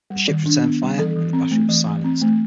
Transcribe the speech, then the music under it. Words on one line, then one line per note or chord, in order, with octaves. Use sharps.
The ships returned fire and the battery was silenced.
G3
D#3
D4
B3
G3
E3 A4
E3
C4
A3
E3
E3
C4
A3